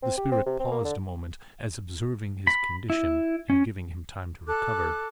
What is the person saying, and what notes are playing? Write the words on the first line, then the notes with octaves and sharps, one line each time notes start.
The Spirit paused a moment, as observing his condition, and giving him time to recover.
C4
G4
C4
C3
C4
A#3
D3
B5
E4
C#4
A4 D6 F#6